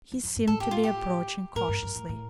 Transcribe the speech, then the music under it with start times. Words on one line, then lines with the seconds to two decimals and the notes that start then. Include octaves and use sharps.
He seemed to be approaching cautiously.
0.12 E2
0.24 F2
0.36 G2
0.47 A2 A4
0.60 G4
0.71 F4
0.83 G4
1.55 A2 A#4
1.68 G2
1.82 G2
1.95 A2
2.09 A2